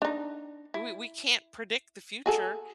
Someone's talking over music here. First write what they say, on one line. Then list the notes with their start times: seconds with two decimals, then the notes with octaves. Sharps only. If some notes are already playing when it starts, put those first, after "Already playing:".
We we can't predict the future,
0.02 D4 D#4
0.74 E4
2.26 F#4 G#4 A4